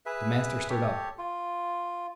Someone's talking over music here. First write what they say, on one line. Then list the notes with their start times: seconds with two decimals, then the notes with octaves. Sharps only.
The master stood up.
0.06 G#4 B4 E5
0.70 G4 A4 C#5
1.18 F4